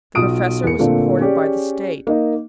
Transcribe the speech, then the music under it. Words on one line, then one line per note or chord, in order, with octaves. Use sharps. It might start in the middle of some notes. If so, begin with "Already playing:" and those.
The professor was supported by the State.
B1 F4 D#6 D7
E2 A#4 C#7
A#2 D3 A3 A#3 C4
C#4 G4 G#4 D5
A#3 D#4 D#5